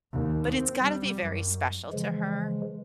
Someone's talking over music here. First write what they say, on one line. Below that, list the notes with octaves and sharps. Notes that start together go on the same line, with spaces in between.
But it's gotta be very special to her
D#2
C4
G3
F#2
C#3 E3 F3 G#3